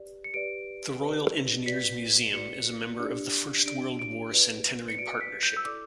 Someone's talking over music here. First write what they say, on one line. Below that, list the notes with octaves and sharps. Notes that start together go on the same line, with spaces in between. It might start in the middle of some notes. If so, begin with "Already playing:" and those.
The Royal Engineers Museum is a member of the First World War Centenary Partnership.
Already playing: G4 B4 D5
C#7
G4 B4 D5 D7
G4 B4 D5
F#4 B4 D5 B6
F#4 B4 D5 C#7
D4 G4 D5
D4 G4 D5 D7
D7
F#4 B4 D5
C#7
F#4 B4 D5 D7
B6
G6
E6
E4 A4 D5 D6